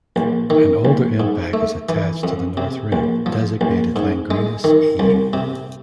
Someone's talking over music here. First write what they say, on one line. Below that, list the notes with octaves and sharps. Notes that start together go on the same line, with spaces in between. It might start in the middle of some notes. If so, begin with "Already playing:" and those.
An older impact is attached to the north rim, designated Langrenus E.
A#1
D#3
A#1
G#2
A3
E3
F2
C3
A#1
F3
A#1
G#2
G#3
D#3
C2
C3